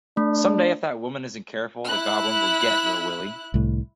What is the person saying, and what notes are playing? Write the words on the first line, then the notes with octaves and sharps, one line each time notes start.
Some day if that woman isn't careful the goblins will get little Willie.
A3 D4
E4 F#6
C2 A2